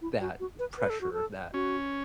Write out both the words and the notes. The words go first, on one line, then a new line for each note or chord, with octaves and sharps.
that pressure, that
E4
F#4
F#4
B4
B4
A4
F#4
A4
C#4 F#4